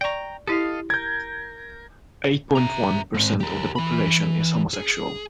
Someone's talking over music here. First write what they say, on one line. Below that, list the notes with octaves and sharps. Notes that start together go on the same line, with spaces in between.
Eight-point-one percent of the population is homosexual.
D5 G5 A#5 C#6
E4 G4 A4 D#5 F5
A#4 G6 G#6
E5 A#5
G#2 C4
G4 A#4
E3 B5
G#4